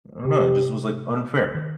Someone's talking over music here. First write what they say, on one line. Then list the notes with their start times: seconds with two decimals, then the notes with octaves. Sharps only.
I don't know, it just was, like, unfair.
0.25 C3 G4
1.55 D#3